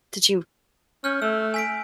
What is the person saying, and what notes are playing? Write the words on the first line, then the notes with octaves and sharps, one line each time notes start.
Did you
C#4 F6 G6
A3 E6
G#5 B6 D7